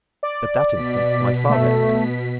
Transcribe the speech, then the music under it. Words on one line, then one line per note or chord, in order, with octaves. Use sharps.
At that instant my father entered.
D5
B2 B6
A3